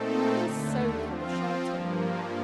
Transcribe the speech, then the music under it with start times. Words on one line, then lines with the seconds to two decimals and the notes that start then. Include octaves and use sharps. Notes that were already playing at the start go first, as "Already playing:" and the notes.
I was so full of Sholto.
Already playing: A#2 A3 C4 D#4 A4
0.40 D#2 D3 A3
1.03 F3 C4 F4
1.67 G2 F3 A#3